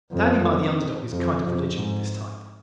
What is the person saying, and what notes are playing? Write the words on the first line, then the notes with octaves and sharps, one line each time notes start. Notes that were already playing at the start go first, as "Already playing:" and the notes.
Standing by the under dog is a kind of religion with this type.
F2
F2
F2
G#2